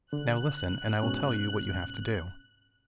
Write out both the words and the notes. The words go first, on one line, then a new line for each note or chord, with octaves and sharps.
'Now listen, and I will tell you what you have to do.'
D3 F#6
G#2 B2 C#4